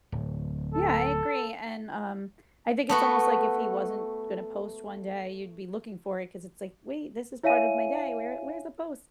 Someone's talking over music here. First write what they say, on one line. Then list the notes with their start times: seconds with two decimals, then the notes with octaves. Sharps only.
Yeah, I agree, and, um, I think it's almost like if he wasn't gonna post one day, you'd be looking for it ‘cause it's like, wait, this is part of my day, where where's the post?
0.12 D1
0.74 A4
2.89 A3 B3 F#4
7.43 E4 C#5 E5 F5 G#5 D#7